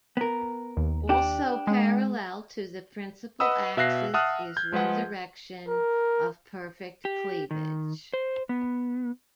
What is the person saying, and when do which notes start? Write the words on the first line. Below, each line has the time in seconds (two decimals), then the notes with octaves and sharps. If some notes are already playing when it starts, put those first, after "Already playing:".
Also parallel to the principal axis is one direction of perfect cleavage.
0.17 B3 A#4
0.77 D#2
1.09 D4 G4
1.67 G#3
3.40 B4 D#5 F#5 B5 D#6 E6
3.77 B2 E5 F5 F#6 A#6 C7
4.14 E5 F#5 A5 D#6 F6 F#6
4.57 G6 G#6
4.72 F3 G#3 G#4 B4 F#5
5.68 A#4
7.05 G4
7.51 D#3
8.13 C5
8.49 B3